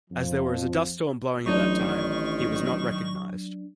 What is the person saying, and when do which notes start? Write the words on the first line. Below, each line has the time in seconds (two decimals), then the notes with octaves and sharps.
As there was a dust storm blowing at that time, he was not recognized.
0.11 F2 F3
1.46 A1 F#3 D4 D#4 C#6
1.79 D#3